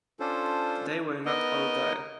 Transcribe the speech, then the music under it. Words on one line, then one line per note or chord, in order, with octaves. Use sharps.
They were not all there.
C#4 D4 F4 A4 C5
B3 D#4 A#4 D#5